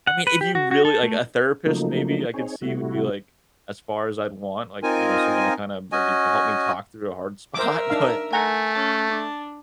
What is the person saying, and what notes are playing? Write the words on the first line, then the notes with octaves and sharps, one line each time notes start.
I mean, if you really like, a therapist maybe, I could see, would be, like, as far as I'd want, like, you know, someone to kinda maybe help me talk through a hard spot. But,
F#5
B4
G4
F#4
F#4
A4
A3
C#3 F3 F#3 A3 A#3 D#4
C4 D#4 G#4 C#5
C3 G3 A3 E4 F#4
C4 D#4 F4 A#4 G#5
C#4 F#4 D#5 G#5
A#4 C5 E5 D6
D4 D#4 F5
A3 F#5 G#5 A#5
C#4 A5
D4